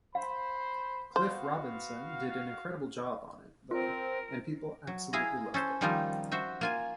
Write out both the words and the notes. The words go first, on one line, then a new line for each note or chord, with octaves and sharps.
Cliff Robinson did an incredible job on it, though, and people absolutely loved it.
C5 F5 B5
B3 F#4 C5 F5 C6
C4 F4 A#4
F#3
E4 G#4 F5 A#5
C#4 A4 C5
D#3 F3 G3 A#3 D#4 F4
F#4 C5 E5
A#3 F4 G#5